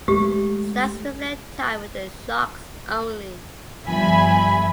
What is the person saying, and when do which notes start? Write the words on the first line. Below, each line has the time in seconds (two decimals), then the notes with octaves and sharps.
Stats reflect time with the Sharks only.
0.08 G#3 A3 G4
3.87 G1 G2 F3 E5 G#5 B5